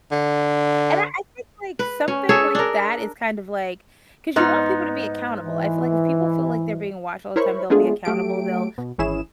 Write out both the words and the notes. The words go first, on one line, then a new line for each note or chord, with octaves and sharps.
and I I think, like, something like that is kind of, like 'cause you want people to be accountable. I feel like if people feel like they're being watched all the time, they'll be accountable, they'll
D3
B4
C#4
G#4 A4 C#5 E5
D4 A#4
G#2 B3 D#4
E3
E4 A#4 C5 C#5 B5 C#6
G#3 A3 B3 D4 F4 G#4
F#3 A3 G4 D7
B2
G#1 E3 C#4 E4 G#4 E7